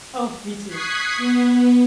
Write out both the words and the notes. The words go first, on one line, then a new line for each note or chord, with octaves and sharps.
Oh, me too.
C#6 D#6 F#6 G#6 B6 C7
B3